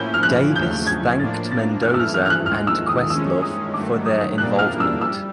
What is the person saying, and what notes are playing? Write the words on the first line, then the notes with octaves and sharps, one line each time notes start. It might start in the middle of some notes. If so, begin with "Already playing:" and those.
Davis thanked Mendoza and Questlove for their involvement.
Already playing: A2 F3 A#3 C#4 E4 G6
F6
F#6
D#2 C#3 F#3 A3 G6
G#6
A2 F3 A#3 D4 A6
A6
G2 E3 A3 F6
E6
F6
F6
F6
F#6
D#2 D#3 G#3 F6
E6
D#6
D#3 G#3 C#4 E6
D#6
G2 D#3 F#3 A3 D6
D#6
A#2 G3 A#3 D4 F#6
F6
E6
G3 E6